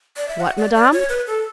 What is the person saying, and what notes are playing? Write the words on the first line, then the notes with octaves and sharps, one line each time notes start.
"What, madame?"
D5
E5
F#5
D5
D5
C#5
B4
A4